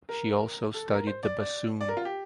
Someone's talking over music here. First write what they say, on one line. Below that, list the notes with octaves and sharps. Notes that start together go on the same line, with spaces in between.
She also studied the bassoon.
A#4
A4
A#4
C5
D5
D5
D5
A#4
F4
G4